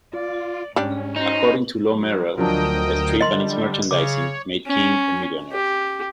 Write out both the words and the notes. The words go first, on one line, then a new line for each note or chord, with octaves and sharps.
According to Lew Merrell, the strip and its merchandising made King a millionaire.
F4 D5
G#2 G3 C#4 D4 G4
D#4 F#4 C5
F#3
D2 F3 F#3 D4 A#4 D#5 G5
D3 G3 D#5 C6
C#3 C#5 D6
C#4
G4